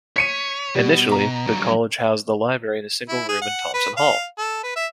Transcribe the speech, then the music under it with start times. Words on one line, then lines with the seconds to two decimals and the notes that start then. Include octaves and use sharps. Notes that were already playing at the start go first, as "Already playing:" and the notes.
Initially, the College housed the library in a single room in Thompson Hall.
0.16 C#5 B6 C#7 D#7
0.75 B2 G3
1.12 A#5
1.47 G2 F#3
3.09 E4
3.28 G#4
3.41 F#5
3.74 B4
3.97 F5
4.38 A4
4.63 B4
4.76 E5